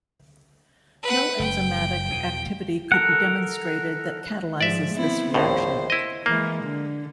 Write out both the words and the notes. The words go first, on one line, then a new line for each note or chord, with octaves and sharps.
No enzymatic activity could be demonstrated that catalyzes this reaction.
B4 F#5
F#1 G5
E2 B2
A4 A#4 F#5
G#2 F3 D5 E5
B3 C4 E4
A#1 D#2 A2 C5
E4 D#5
E3 G#3 A#3
D3